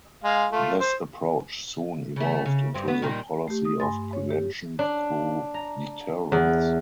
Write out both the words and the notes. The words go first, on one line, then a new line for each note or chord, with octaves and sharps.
This approach soon evolved into the policy of Prevention through Deterrence.
G#3 F5
A3 F4
C5
C#3 A3
C#3
G2 C4
B3
A#2 D#3 G3
A3 G4
D#6
G2 G#5 C6 A6
C#5
G4
D4
A#5
E2